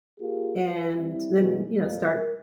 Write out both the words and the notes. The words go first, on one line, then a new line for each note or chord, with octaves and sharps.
and then, you know, start
A#3 F4 G4 G#4
B4
G3 C4 E4
F#2 B2 E3 G#3
F2 A#2
A#4